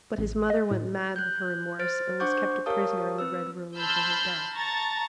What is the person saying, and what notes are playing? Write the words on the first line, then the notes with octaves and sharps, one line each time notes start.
But his mother went mad with her remorse, and was kept a prisoner in the Red Room until her death.
A1
D#5
A2
F#6 G6
C5 F6 A6 D7
D4 C5 F#5 C#6 D6 G6
G4 A#4 C#5 F5 A5 D#6
C4 B4 E6
A5 B5 C6 E6 F6 G6
A5 A#5 C#6 A6